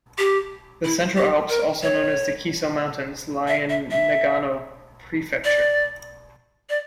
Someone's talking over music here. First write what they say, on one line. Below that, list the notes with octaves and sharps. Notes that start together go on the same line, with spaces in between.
The Central Alps, also known as the Kiso Mountains, lie in Nagano prefecture.
G4
E4
G4
A#4
C#5
E5
E5
E5
D5
D5